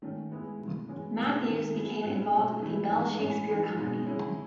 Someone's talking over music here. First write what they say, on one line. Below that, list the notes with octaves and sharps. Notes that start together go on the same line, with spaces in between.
Matthews became involved with the Bell Shakespeare Company.
D#3 A3 C#4
G#3 B3 E4 G#4
B2 A3 E4
E3 G#3 C#4 F#4
B2 A3 E4 G#4
D#3 G#3 D#4 G#4
F#3 B3 E4 G#4
A2 F#3 B3
B2 A3 C#4 F#4
E3 A3 E4
E3 G#3 D#4
A2 G#3 C#4 G#4
E3 G#3 D#4 F#4
B2 G#3 D#4 F#4
G#3 C#4 E4 G#4